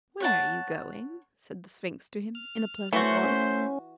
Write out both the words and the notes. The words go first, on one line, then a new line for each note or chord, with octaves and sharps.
"Where are you going?" said the Sphinx to him, in a pleasant voice.
C#5 F#5 A5
F6
E3 A3 F#4 C5 C#5 F#5 C6
C#4